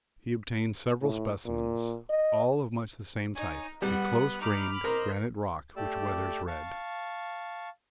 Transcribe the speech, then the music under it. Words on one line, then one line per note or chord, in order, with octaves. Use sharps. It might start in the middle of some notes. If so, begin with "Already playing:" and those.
He obtained several specimens, all of much the same type, a close-grained granite rock which weathers red.
A2
A#2
D#5
D#4 C#5 G#5
G3 B3 B4 F#5
D#4 B5 D6 F6
A#4 C5 D#5
A3 G4 D5 E6
F5 A5 C#6